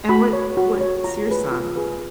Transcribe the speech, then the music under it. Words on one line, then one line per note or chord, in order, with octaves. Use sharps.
And what what's your song?
F#4 B5
C#5
F#4
C#5
F4 A#5
G#4 B4
F4
G#4 B4